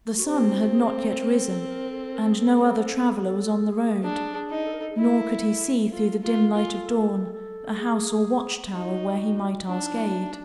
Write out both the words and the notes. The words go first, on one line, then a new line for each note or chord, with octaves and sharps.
The sun had not yet risen and no other traveler was on the road, nor could he see through the dim light of dawn a house or watch-tower where he might ask aid.
F#4
C4 G4
F#4
G#4
A4
A4
A#4
A#4
A4
A#4
A4
A#4
A4
G#4
A4
A4
A4
G#4
A4
A4
G#4
D4 G#4
G#4
D#4
A4
A#4
A4
G#4
E4 A4
F4 A4
F4
A4
F4
A4
A4
G#4
D#4 F#4
F4
F#4
D4 F4
D#4
E4
D#4